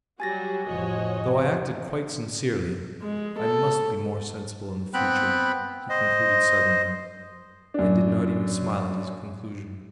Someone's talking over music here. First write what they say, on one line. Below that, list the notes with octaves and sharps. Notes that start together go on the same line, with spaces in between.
"Though I acted quite sincerely, I must be more sensible in the future," he concluded suddenly, and did not even smile at his conclusion.
F#3 G3 F#4 G#5 A6 A#6
F1 A2 F3 F#4 C#5 D#5
G#3
A4
B3 C4 G5 B5 F#6
C5 D#5
F#2 D4